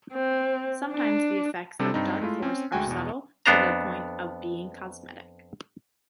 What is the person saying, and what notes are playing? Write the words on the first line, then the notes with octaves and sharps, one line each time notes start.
Sometimes the effects of Darkforce are subtle to the point of being cosmetic.
C4
D4
C3 G3 C4 D4 G4 A4
G2 C4 D#4
G#3 A3 E4 F4
C4 C#4
D2 G#3 F#4 G5 G#5
E2 B2
F2 B3 D4 C5 A#5